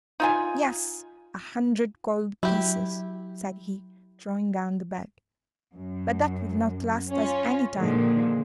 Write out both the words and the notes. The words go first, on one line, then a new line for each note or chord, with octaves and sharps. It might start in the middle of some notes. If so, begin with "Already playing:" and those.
'Yes, a hundred gold pieces,' said he, throwing down the bag, 'but that will not last us any time.
D#4 F4 G#5
F#3 E4 G4
F#2
C#4 F4
A#2 D3 D#3 F3 G#3